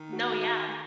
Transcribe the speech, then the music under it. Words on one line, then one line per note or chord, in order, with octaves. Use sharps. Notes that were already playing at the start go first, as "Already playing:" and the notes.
No, yeah.
Already playing: D#3
F#4